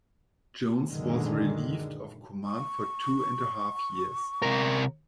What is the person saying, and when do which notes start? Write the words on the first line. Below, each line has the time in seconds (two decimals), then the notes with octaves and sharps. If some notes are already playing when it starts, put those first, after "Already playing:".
Jones was relieved of command for two and a half years.
0.86 F#1 A#2 D3 D#3 G#3
2.44 C#6
4.42 C3 A#4